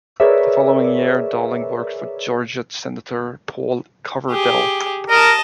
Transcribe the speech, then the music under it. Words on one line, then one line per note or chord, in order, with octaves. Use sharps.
The following year, Darling worked for Georgia Senator Paul Coverdell.
G#4 A#4 B4 C#5 D5 E5
G4 G#4
A#4 D#5 A5